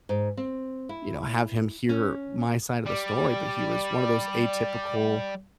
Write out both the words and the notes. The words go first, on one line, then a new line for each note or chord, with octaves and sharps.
you know, have him hear my side of the story, but he was one of those atypical,
G#2
C4
E4
C#4
G3 D5